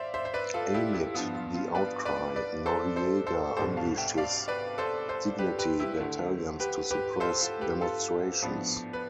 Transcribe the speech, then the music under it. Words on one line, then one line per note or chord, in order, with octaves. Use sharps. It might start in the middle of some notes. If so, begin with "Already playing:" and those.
Amid the outcry, Noriega unleashed his Dignity Battalions to suppress demonstrations.
Already playing: C5 D5 E5 F5
C5 E5
C5
B4 D5
F4 A4
E4 G4
E4 G4
G2 F3 B3 F4
F4
F4
B4 D5
B4 D5
B4 D5
A4 C5
A4 C5
A4 C5
C2 B2 G3 D4 A4 C5
F5 A5
E5 G5
D5 F5
B4 D5
A4 C5
A4 C5
G4 B4
G4 B4
E4 G4
D2 D3 A3
G4 B4
G4 B4
A4 C5
F4 A4
G4 B4
F4 A4
A2 F3 B3 D4
B4